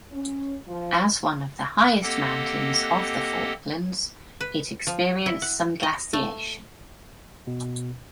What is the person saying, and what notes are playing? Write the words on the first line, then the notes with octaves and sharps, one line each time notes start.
As one of the highest mountains of the Falklands, it experienced some glaciation.
C#4
F3
A#3 C4 G4 A4 D#5 F#5
B4
F3
E4
F#5
D#5
A3
B2